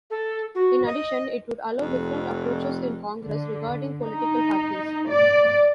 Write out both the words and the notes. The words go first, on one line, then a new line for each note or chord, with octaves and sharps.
In addition, it would allow different approaches in congress, regarding political parties.
A4
F#4
D#5
F1 F2
D3
D#4
D5